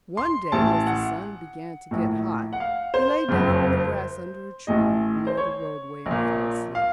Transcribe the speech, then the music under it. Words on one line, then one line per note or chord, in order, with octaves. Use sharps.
One day, as the sun began to get hot, he lay down on the grass under a tree near the roadway, and fell asleep.
C6
A1 A2 A5
F#5
A#1 A2
F#5
F5
C5
F#1 F2 C#3
A1 A2 D#5
C5
C#5
A#1
A#2
F5